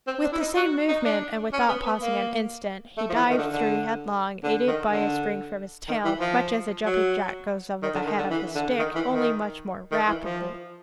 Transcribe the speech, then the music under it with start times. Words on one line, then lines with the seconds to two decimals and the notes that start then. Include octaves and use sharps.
With the same movement, and without pausing an instant, he dived through headlong, aided by a spring from his tail, much as a jumping jack goes over the head of his stick, only much more rapidly.
0.07 C4
0.24 D4
0.32 E4
0.40 D#4
0.56 F#4
0.88 D#4
1.04 D4
1.53 C#4
1.68 B3
1.85 B3
2.02 A#3
2.98 A3
3.10 F3
3.15 E3
3.30 D#3
3.38 D3
3.52 D3
4.44 D3
4.67 D#3
4.92 D3
5.88 D#3
6.04 E3
6.20 F3
6.85 F#3
7.83 D#3
7.95 D3
8.07 D#3
8.18 D3
8.30 E3
8.55 D3
8.79 D#3
8.95 E3
9.11 D#3
9.91 D#3
10.08 E3
10.24 F3